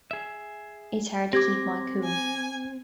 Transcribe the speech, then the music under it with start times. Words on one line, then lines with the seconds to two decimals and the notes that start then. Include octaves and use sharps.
It's hard to keep my cool.
0.11 G#4 E5
1.33 C4 G4 D6 G#6 A#6
2.04 G#5